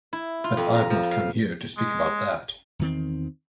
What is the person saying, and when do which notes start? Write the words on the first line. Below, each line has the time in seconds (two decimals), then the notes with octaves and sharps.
But I've not come here to speak about that.
0.13 E4
0.44 F4
0.57 F2
0.75 A#5
0.90 F3
1.11 F5
1.77 G#3
2.79 E2 D#3 C4